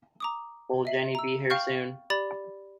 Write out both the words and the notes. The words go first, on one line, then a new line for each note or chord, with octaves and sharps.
Will Jenny be here soon?
A#5 D6 D#6
D#5 E5 C7
A#5 E6
F5 G5 C#6 F6 G6
G4 D5 B5 A6